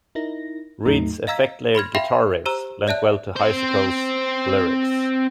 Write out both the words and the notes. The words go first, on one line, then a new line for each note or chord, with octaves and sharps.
Reed's effect layered guitar riffs lent well to Heiskell's lyrics.
D#4 E4 A#4 A#6
E2 A2 F#3 A3 D#4 A#5
D#5 F5 A#5 E6 G#6 B6
B5 C6 F6 G#6
E5 F5 G5 B5 C6
G4 C5 A#5 E6
C#5 D5 E5 A5 F#6
C4 C5